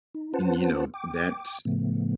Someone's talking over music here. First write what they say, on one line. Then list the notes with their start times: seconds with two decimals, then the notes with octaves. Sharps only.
and, you know, that
0.14 D#4
0.34 C#4 F4 B4 C5 F#5 A5
0.94 G5 D6
1.65 A2 C#3 F3 A3 B3